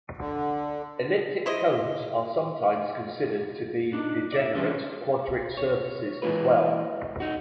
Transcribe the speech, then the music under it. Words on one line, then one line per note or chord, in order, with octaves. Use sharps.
Elliptic cones are sometimes considered to be degenerate quadric surfaces as well.
D3
E4 C5 D#5
D4 D#4
D5 E5
E3 F3 G3 C#4 D4
C#5
E3 G#3 A#3 B4
D#4 F#4